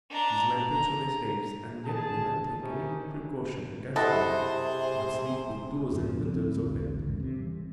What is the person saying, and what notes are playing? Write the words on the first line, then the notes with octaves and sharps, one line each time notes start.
These men torture their slaves, and yet do not take any precaution against them, but sleep with doors and windows open.
D4 A#5
A#5
D3 G#4 A5
C3 D#3 C#4 D#4 E4 G4
C3 E4 G#4 A4 C5 D#5 F#5
F2 G#2 F3
B1 E2 D3 C4
A1 E2 G#2 C#3
C3
E3 G3